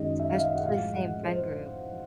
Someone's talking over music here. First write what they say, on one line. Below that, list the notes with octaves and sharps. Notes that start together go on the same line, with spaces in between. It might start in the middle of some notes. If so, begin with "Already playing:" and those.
Especially same friend group. Mm.
Already playing: F#2 D#3 G#3 D#5
E5
F5
E5
F#5
A2 F3 G#3 F5
F#5
C5